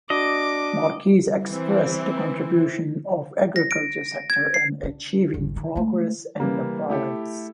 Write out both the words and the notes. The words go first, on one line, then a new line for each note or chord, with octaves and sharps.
Marquez expressed the contribution of agriculture sector in achieving progress in the province.
D4 F#4 D#5 D6
E3 C4
A#6
D7
G#6
C7
D4
G#1 E2
D#3
G#3 A3
E3 G3 A#3
A3 E4 G4 A4